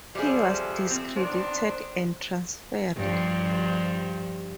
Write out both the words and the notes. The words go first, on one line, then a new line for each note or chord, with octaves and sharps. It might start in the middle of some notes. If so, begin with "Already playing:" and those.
He was discredited and transferred.
F2 C3 F3 G3 G#4
C4
D#3 B3 D4 C5
G2 F3